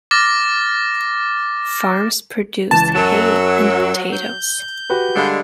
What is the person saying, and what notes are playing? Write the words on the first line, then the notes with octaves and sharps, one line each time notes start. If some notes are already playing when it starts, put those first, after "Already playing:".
Farms produced hay and potatoes.
D6 F6 A6 A#6
C#2 E3 A5
F#2 F#3 E6 E7
G6
F#4 G4 B4
D3 G3 G#3 F5 B5